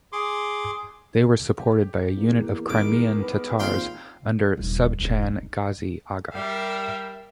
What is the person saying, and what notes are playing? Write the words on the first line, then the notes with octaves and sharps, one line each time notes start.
They were supported by a unit of Crimean Tatars, under Subchan Ghazi Aga.
G#4 C6 D6
G4
E2 A#3
D#3 G3 G#3 A#4 D6
B3
A#2 C4 F5 G5 C6
D#1
E1 E4
D#4
G3 A#4 E5 F5